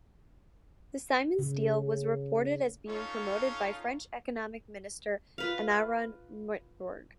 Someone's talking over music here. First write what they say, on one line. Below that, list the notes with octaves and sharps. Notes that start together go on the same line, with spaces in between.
The Siemens deal was reported as being promoted by French economic minister Arnaud Montebourg.
C#3
C#4 D#4 F4 A4 C#5
F4 B4 F5